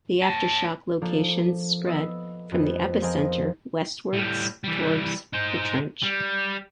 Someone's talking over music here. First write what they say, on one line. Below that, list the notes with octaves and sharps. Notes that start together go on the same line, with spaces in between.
The aftershock locations spread from the epicenter westwards towards the trench.
C#5 A5
F3 A#3 D4 A4
B3 D#5 E6
F2 B3
F3 C4 G#4 A#4 D#5
A2 G3
E3 G3
D#4 C5
G3